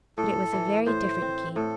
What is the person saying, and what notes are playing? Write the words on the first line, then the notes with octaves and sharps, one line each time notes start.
But it was a very different Keith.
A2 A4
E3
A2 C5
C4
A2 A4